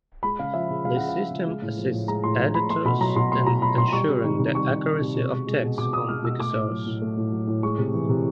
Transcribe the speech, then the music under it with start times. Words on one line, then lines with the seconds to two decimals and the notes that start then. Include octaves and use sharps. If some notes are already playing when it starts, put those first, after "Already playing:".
This system assists editors in ensuring the accuracy of texts on Wikisource.
0.23 G#3 B5
0.39 C#3 F5
0.54 F3 E5
0.70 C#3
0.85 G#3 F5
0.97 C#3 F#5
1.09 F5
1.16 F3
1.31 C#3
1.47 G#3
1.62 A2
1.77 F3
1.93 A2
2.08 G#3 A#5
2.24 A2 C6
2.39 F3
2.55 A2 B5
2.69 A3 C6
2.85 B2 B5
3.00 F#3 A#5
3.16 B2 C6
3.32 A3 C6
3.46 B2 A#5
3.62 F#3 B5
3.78 B2 C6
3.93 G3 C#6
4.08 C3
4.24 D#3
4.39 C3
4.55 G3 C#6
4.70 C3
4.86 D#3
5.01 C3
5.16 B2
5.32 G#3
5.47 G#3
5.62 B2
5.78 B2 D6
5.93 G#3 D#6
6.08 G#3 F6
6.24 B2 E6
6.40 A3 D6
6.54 A2
6.71 F#3
6.86 A2
7.02 A3
7.17 A2
7.32 F#3
7.47 A2
7.63 G#3 C#6
7.78 C3
7.94 E3
8.09 C3